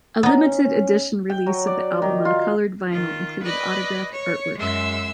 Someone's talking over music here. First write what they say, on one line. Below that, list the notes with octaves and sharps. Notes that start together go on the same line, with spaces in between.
A limited edition release of the album on colored vinyl included autographed artwork.
B3 C#4 D#4
G5
F#3
D5
D#3
F4
D#3 F4
B4 D5 D#5 B5
C#5
F#2 G#3 E5 C6 E6